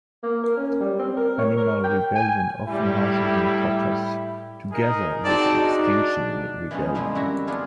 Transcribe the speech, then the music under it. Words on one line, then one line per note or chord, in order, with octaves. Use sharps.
Animal Rebellion often marches in protests together with Extinction Rebellion.
A#3
A#4
C#4
G3
C4
A#4
C#5
A#4
G5
G#5
A2 G3 E4 G4
D#4 G#4 A#4
C4 D#4 F#4 G#4 D5 A5
D4
E3 F3 G#3 B3 C#4 D#4
D3 E3 F3 G#3 C4 E4
F#2 G3 E4 F#4 E5 A#5
B3 D4 E4 F4 G#4